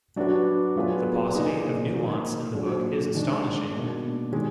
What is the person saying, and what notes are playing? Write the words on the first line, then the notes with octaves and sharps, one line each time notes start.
The paucity of nuance in the book is astonishing.
F#3 D4 F#4 B4
F#3 B3 F4 G#4 B4
A#3 D#4 G#4 D5
D#3 A#3 D#4
A#2 F#3 D4 G#4
D#3 G#3 D4
B2 A#3 D4
D#3 G#3 D#4 G#4